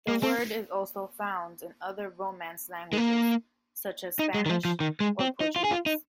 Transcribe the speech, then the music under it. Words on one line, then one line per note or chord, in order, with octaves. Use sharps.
The word is also found in other Romance languages such as Spanish or Portuguese.
A#3
C4
G#3
A#3
D#4
G#3
D#3
F3
F3
D#3
G#3
C4
D#4
F4
G#4
F4
D#4